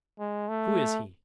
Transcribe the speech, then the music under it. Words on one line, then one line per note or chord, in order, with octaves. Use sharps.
Who is he?'
G#3
A3